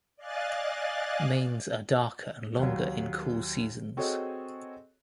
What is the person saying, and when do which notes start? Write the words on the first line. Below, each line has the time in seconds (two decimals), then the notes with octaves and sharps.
Manes are darker and longer in cool seasons.
0.16 D5 D#5 F5 G#5 F#6 A6
2.59 D#2 F#3
3.97 C4 F#4 G#4 A4 C#5 D#5